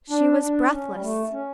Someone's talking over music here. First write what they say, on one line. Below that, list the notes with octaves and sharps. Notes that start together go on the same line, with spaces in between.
She was breathless.
D4
D4
C#4
G3
A3
C#4